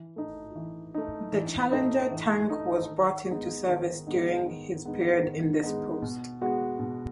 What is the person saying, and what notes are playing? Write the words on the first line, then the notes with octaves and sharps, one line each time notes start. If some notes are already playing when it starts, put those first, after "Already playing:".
The Challenger tank was brought into service during his period in this post.
Already playing: E3
A3 D#4
E3
A3 D#4
E3
A3 D#4
E3
A3 D#4
D#3
G#3 B3 D#4
D#3
G#3 B3 D#4
D#3
G#3 B3 D#4
D#3
G#3 B3 D#4
B2
G#3 B3 F#4
B2